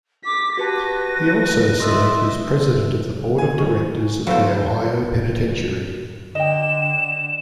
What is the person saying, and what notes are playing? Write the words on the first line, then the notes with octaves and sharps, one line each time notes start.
He also served as president of the board of directors of the Ohio Penitentiary.
D6 B6
F#4 G4 B4 A5 A#6
D#5 E5 C6 E6 A6
G#5
D#3 C#6
F#3 A3 B3 E4 C5 F5
D3 D#5 G5 E7